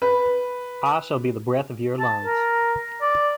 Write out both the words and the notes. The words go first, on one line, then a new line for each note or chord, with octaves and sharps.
I shall be the breath of your lungs.
B4
A5
A#4
D5